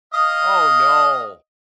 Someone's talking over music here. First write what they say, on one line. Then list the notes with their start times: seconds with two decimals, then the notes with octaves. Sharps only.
Oh no!
0.14 D#5 F5 D#6